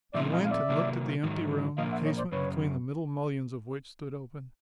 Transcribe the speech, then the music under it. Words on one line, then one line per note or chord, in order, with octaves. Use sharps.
They went and looked at the empty room, the casement between the middle mullions of which stood open.
A#2 F3 A3 C4 D#4 D5 E5
D#5 F5
F5
D5 E5
C3 D#3 F#3 A#3
G#2 D#3 F#3
A#2 F3 A#3 D#5 F5
E5 F#5
C#5 D#5
C5 D5
F#2 C#3 B4 C#5